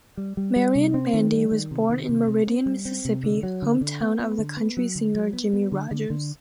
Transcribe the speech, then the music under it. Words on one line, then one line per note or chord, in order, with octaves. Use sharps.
Marion Bandy was born in Meridian, Mississippi, hometown of the country singer Jimmie Rodgers.
G3
G3
G3
C3
C4
D#3
G3
D#3
C3
D#3
C3
C4
C4
G3
C4
C3
D3
F#3
D3
D3
B3
B3
D3
B3
F#3
D3
F#3
B3
B3
D3
D3
D3